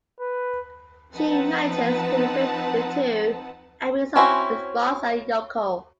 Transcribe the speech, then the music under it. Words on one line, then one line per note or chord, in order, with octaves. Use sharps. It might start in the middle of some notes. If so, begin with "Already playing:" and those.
She manages to evade the two and meets up with Ross and Yoko.
B4
F3 C4 D#4 B4 F#5 A5
C4 C#4 E4 F#4 C5